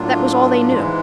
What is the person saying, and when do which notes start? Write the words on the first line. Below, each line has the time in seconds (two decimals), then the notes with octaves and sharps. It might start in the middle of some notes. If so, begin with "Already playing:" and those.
That was all they knew.
Already playing: A2 F#3 A#3 D4 F4
0.72 G#2 E3 G#3